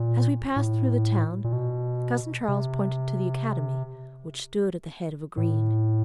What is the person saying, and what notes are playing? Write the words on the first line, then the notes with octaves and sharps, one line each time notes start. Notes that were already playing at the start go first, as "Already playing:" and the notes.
As we passed through the town, Cousin Charles pointed to the Academy, which stood at the head of a green.
Already playing: A#2
A2
A#2
B2
C3
A2